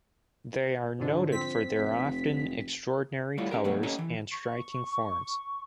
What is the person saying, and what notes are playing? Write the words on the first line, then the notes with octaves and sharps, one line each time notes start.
They are noted for their often extraordinary colours and striking forms.
G#2 D3 F3
C4 B6
F1
G3 A3 E4 F4 C#5
C#4 G4 A#4
B2 F#3 A3 B4
A#3 C#4 G4 A4 C#5 D#5
E3
C#6